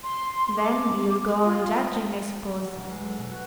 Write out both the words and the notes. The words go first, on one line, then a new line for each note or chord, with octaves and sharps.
"Then you'll go on judging, I suppose."
C6
D6
F4
F#3
E1
G#3
A4
B2
F#4